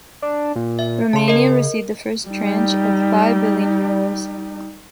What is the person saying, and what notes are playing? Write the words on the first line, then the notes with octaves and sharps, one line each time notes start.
Romania received the first tranche of five billion euros.
D4
A#2
E5
C#3 A5 C6
A#4 D#5
G3 D#4